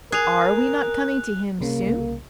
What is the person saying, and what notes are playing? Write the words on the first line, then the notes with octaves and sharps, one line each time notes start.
Are we not coming to him soon?
G#4 A#4 F#6 F7
C2 C#3 A#3